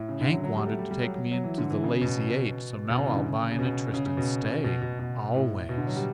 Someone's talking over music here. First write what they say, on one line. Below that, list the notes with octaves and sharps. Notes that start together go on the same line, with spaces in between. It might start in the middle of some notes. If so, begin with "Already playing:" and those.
"Hank wanted to take me into the Lazy Eight, so now I'll buy an interest, and stay--always."
Already playing: A2
C#3
D3
F#3
F#3
G3
A3
G3
G3
F#3
F#3
F#3
E3
D3
E3
C#3
B2
B2
C#3
E3
D3
C#3
C#3
B2
C#3
C#3
B2
B2
B2
B2
A2
B2
D3
F#3
G3